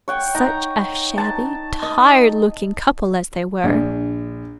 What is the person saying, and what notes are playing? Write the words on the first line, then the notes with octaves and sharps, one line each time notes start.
Such a shabby, tired-looking couple as they were!
C#5 F#5 G5
D#4 G5 A#5
A5
D#5
A#1 D4